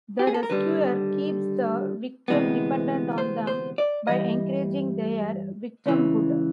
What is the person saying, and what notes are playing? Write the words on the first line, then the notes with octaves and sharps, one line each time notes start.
The rescuer keeps the victim dependent on them by encouraging their victimhood.
G4
G#4
A4
A#4
D#2 D3 G3 B4
D2 C3 E3 G#3 B3
C5
C5
D5
G2 E3 G3 D#5
C#2 C#3 E3